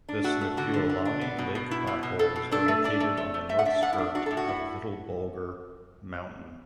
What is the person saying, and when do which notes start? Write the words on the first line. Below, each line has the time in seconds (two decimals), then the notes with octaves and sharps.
The Snoqualmie Lake Potholes are located on the north skirt of Little Bulger mountain.
0.09 D4
0.24 A3 F#4
0.41 A3
0.57 D3 F#4
0.74 D3
0.89 D3
1.05 D4
1.21 B3
1.39 B2
1.55 B2
1.71 E4
1.87 B2
2.03 B2
2.19 B2 A4
2.36 B2
2.52 D4 A4
2.68 A3
2.84 D4 D5
3.00 A3
3.17 A3
3.34 A3
3.49 A3 E5
3.59 F#5
3.65 D4 E5
3.83 A2 F#5
3.93 E4
3.98 D4
4.15 D4 F#4
4.26 A2 A4
4.37 F#4
4.48 E4